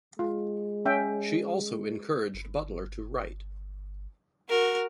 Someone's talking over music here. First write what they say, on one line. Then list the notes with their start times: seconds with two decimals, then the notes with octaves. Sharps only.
She also encouraged Butler to write.
0.19 G#3 F4
0.85 C#4 E5 G5
2.34 G1
4.49 F#4 A#4